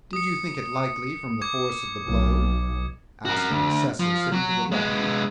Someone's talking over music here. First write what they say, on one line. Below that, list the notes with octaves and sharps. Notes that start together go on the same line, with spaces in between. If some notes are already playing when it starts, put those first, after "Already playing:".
Did you think it likely from the force of the blow?' asked the assessor sitting to the left.
D#6 C#7
D6 G#6
B1
F#4 A#4
D2
F3
F#3 F#4
G#3 B3